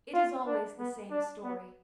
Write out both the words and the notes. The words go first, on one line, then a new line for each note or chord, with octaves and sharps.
It is always the same story.
F4
D4
B3
D4
B3